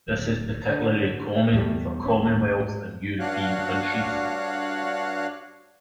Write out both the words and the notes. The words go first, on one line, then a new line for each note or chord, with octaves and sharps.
This is particularly common for commonwealth and European countries.
D1
D3
E2 B2 G3 A3
D#1 C#4
G#2
G2 D4 F#4 C#5 F5 F#6